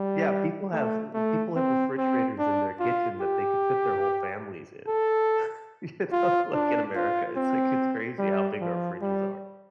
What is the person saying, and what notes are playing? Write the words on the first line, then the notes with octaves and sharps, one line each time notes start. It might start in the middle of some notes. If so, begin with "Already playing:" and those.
Yeah, people have uh uh, people have refrigerators in their kitchen that they could fit their whole families in, you know, like, in America, it's, like, it's crazy how big our fridges are.
Already playing: G3
A3
A3
C4
C4
D4
F4
G4
A4
F4
D4
F4
C4
G3
F3
G3